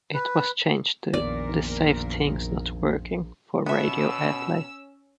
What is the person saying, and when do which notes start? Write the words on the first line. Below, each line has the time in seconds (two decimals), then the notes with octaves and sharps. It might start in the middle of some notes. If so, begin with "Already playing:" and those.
It was changed to "This safe thing's not working" for radio airplay.
0.14 B4
1.14 A#1 F2 A#2 D#3 B3 A#4 D5
3.66 B2 B3 C#4 E5 E6